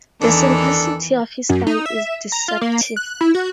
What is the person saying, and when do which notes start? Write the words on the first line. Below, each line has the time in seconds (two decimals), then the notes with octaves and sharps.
The simplicity of his style is deceptive.
0.21 E2 D#3 E3 D4 A4
1.49 F#2
1.67 D#4
1.86 E5
2.32 A#5
2.48 F4
2.61 A#3
2.81 D7
2.96 F#6
3.21 E4
3.35 F#4